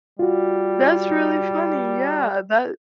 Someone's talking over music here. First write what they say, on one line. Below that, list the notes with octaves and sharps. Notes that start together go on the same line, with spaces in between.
That's really funny, yeah, that
G3 F4 F#4